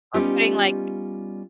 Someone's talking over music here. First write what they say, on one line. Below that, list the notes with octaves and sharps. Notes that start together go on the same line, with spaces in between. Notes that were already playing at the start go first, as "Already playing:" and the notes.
or putting, like,
G3 B3 C#4 D#4 F4 G4